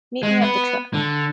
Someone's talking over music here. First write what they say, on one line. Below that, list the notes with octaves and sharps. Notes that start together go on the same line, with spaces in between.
Meet me at the truck.
G#3
B3
D3